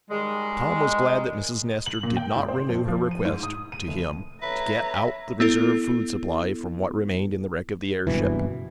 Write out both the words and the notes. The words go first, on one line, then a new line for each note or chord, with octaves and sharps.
Tom was glad that Mrs. Nestor did not renew her request to him to get out the reserve food supply from what remained in the wreck of the airship.
D#3 G3 G#3
F#7
A#2
G5
G#1
C5
F2
F3
D#7
G#2
D#6
D#7
F1
A4 B4 C#5 E5 A#5
B3 E4 A4
F#1 G2 B2 E3